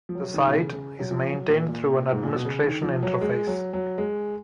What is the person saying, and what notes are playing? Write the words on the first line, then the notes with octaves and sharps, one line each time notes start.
The site is maintained through an administration interface.
F3
F#3
D#3
B2
C#3
C#3
F#3
F3
F#3
A#2
A#2
G#2
A#2
B2
C#3
D#3
F3
F#3
G#3
F#3
F#3
G#3